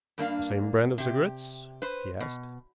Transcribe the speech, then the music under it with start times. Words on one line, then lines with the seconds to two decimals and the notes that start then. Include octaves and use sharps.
"The same brand of cigarettes?" he asked.
0.18 G2 A#3 D4 F5
0.98 C3 G4
1.82 B4 C5
2.20 B2